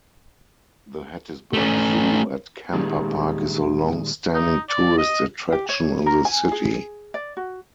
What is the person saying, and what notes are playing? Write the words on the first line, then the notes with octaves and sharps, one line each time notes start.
The Hattiesburg Zoo at Kamper Park is a longstanding tourist attraction in the city.
A3 C#4
A#2 D#3 G3 G#3
D#4
D5
D#5
G4
C#5
A#4
G#5
G#4
D5
F#4